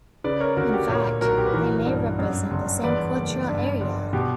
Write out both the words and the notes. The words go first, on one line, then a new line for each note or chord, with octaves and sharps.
In fact, they may represent the same cultural area.
C#3 B4 D5
A#4 C#5
D2 F#4 A#4
G4
A#2 A#4 C#5
B1 F#4 A#4
G4
B4
E3 F#4 A#4
G2
F#2
G1
E2 B4 D5
F#1
G2
G1
B2 G4